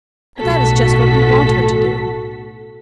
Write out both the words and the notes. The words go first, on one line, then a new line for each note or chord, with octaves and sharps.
But that is just what we want her to do.
B1 A2 F#4 A4 B6